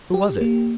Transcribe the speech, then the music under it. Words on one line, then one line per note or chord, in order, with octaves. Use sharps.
"Who was it?"
G4
A#3